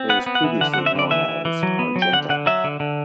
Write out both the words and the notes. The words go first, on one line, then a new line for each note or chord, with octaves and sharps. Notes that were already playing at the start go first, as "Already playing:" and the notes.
It was previously known as Argenta.
Already playing: C4
B3 F#5
B3
F#5
E3
D3 F#5
F#5
C4
E5
D3 D5
E3 E5
E3
E3
F#3
B3
F#3
G5
D3 F#5
D3 F#5
F#3 E5
D3
D3